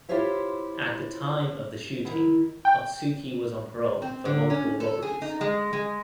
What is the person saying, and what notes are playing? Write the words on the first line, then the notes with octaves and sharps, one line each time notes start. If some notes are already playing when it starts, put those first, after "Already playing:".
At the time of the shooting Otsuki was on parole for multiple robberies.
E4 F4 G4 C5 C#5 E5
D#3 E4
G5
C4
D3
C#4
A4
G#4
D#4
G#3
G#3